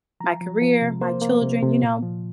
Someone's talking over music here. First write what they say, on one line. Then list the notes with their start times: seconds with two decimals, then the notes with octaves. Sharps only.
my career, my children, you know?
0.20 F3 A#5
0.41 F3
0.62 F3
0.81 C3
1.01 A#3 C5
1.22 A#3
1.42 C3
1.62 C3
1.82 A#2
2.03 F3